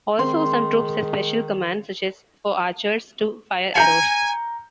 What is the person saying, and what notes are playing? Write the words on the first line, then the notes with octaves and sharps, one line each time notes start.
Also, some troops have special commands, such as for archers to fire arrows.
D#3 G#3 C4 C6
G#5 A#5 G6 C#7